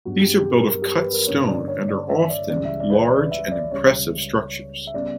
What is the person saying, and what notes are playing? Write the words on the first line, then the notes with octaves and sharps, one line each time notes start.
These are built of cut stone and are often large and impressive structures.
G2 F#3 B3 F#4
G4
G4
A#4
G4
G4
B4
A#4
G2 D3 A#3 C#4 C#5
D5
C#5
D5
E5
D5
C#2 C#3 E3 G3 C#4 D5
E5
D5
B4
C#5
D5
E5
D5
C#2 C#3 G3 C#5
E5
C#3 G3 B3 D5